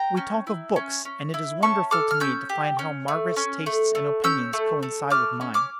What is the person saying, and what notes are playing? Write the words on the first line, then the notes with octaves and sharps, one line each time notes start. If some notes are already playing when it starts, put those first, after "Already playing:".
We talk of books; and it is wonderful to me to find how Margaret's tastes and opinions coincide with mine.
Already playing: G5 A#5
C#4
E4
C#4
C#4
E4
C#4 A5 C#6
A4 D6 F6
F6
C#4 E6 G6
G4
C#4
A3
C#4
A3
A3
C#4 E6 G6
A3
A3
A3 D6 F6
C#4
D6 F6